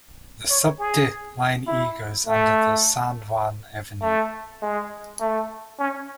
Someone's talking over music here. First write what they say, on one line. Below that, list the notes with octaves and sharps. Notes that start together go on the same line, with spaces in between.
The Subte Line E goes under the San Juan Avenue.
C#5
G#4
E4
A3
A3
G#3
A3
C#4